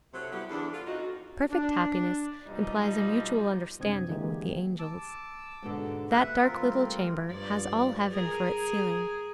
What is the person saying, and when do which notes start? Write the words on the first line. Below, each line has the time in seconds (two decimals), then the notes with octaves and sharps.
Perfect happiness implies a mutual understanding with the angels. That dark little chamber has all heaven for its ceiling.
0.14 C3 F#3 C4 E4 A4 C5
0.32 G3 B3 E4 G4
0.50 E2 D4 A4
0.73 F4
0.87 F2 D#4 F#4
1.49 D4
2.46 B2 F3 G3 D#4
3.80 C2 F#2 C4 D4 D#6 G#6
4.08 D3 E3 G#3 A#3 G4
4.79 A5 D6 E6
5.62 G#2 B2 D3
6.11 D#2 B4 E5 F#5
6.43 C4 F4 A#4
6.63 G3 A3
7.27 G2 F3 D5
8.09 G#4 A#4